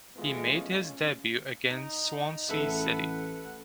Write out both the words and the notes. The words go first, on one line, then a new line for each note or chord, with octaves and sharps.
He made his debut against Swansea City.
E3 G#3 A3 B3 F4 D#5
C#4
D#4
A1 A4 B4 E5 F#5